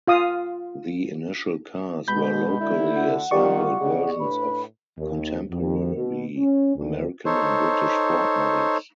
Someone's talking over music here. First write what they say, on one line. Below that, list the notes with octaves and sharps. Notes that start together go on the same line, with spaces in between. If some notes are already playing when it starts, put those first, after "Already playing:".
The initial cars were locally assembled versions of contemporary American and British Ford models.
F4 F5 D#6
B2 G#3 B5 G6
D2 D3 E4
F#5
D#3 G3 F4 G4 D5 C#6
C#3 G#4 D#5
A2 D4 B4 B5
D#2
F2
B2
C#4
D2
D#4 A4 C5 C#5